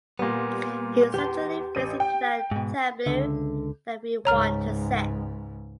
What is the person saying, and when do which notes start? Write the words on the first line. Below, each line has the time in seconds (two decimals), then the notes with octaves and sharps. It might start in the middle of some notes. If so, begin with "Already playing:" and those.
He certainly fits into that tableau that we want to set.
0.19 A#2 G3 A#3 B3
1.14 E2 G4 C6
1.75 A1 D#7
2.00 G5
2.51 G#2 B2
3.06 C#2 D3 E5
4.25 C#2 G#2 C#5 A#5 F6